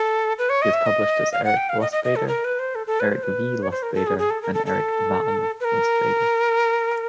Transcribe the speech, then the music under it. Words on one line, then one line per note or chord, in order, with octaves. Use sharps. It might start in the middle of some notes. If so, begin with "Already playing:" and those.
He has published as Eric Lustbader, Eric V. Lustbader, and Eric Van Lustbader.
Already playing: A4
B4
C#5
D#5
E5
D#5
F5
F#5
G5
F5
D#5
D#5
D#5
A4
A#4
B4
C5
A4
A4
B4
C5
B4
C#5
C5
A#4
A4
G#4
G#4
A4
A#4
A4
A4
B4
A#4